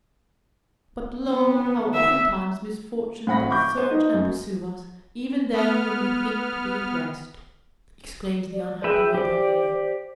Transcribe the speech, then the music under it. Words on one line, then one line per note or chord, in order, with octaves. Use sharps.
"But, lo, how oftentimes misfortune doth search and pursue us, even then when we thinke to be at rest!" exclaims the unhappy Laudonniere.
B3
E5
A2 C4 F#5 B5 A#6
C#6 D6 G6
C5
D#4 D#5
F#2
B3 F6
D5
G#4 B4 E5 G5
G4 C5 D5